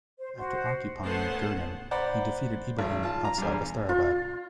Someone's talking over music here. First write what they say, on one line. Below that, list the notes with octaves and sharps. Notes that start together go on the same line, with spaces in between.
After occupying Gurgan, he defeated Ibrahim outside Astarabad.
C5
F#4 C5
A3 B3 C#4 C5 F#5 A5
C5 D5 F#5 A#5 B5
G#1
F4 A5
A#5
E2 G2
F4